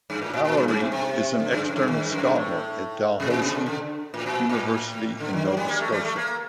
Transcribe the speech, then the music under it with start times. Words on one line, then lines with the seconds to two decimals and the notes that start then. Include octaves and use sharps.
Alary is an External Scholar at Dalhousie University in Nova Scotia.
0.10 G2
0.22 A2
0.34 A#2
0.45 A#2
0.57 G2
0.68 G2
0.81 C3
0.92 C3
1.40 D3
1.52 G2
1.64 F#2
1.76 G2
1.88 D#3
2.00 G2
2.12 F#2
2.23 G2
2.36 A2
3.20 C3
3.30 A#2
3.42 C3
3.55 D3
3.66 D3
4.14 A2
4.26 A#2
4.49 A2
5.20 D3
5.33 D#3
5.45 F#3
5.57 G3
5.68 A#3
5.80 A3
5.92 G3
6.05 A3
6.16 A#3